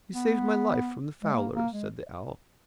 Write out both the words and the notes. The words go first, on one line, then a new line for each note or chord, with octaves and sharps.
"You saved my life from the fowlers," said the owl.
B3
G#3
A#3
A#3
G#3